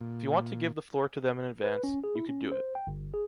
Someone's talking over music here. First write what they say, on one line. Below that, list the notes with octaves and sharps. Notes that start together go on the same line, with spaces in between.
If you want to give the floor to them in advance, you could do it.
A#2
B4
C#4
G#4
E4
C#4
C5
G5
G1
G#4